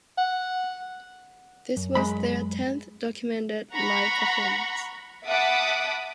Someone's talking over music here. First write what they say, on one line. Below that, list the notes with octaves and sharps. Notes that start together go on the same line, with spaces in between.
This was their tenth documented live performance.
F#5
F#2
G#3 B5
F#5 A#5 B5 C#6
E5 F#5 A5 B5 D6 D#6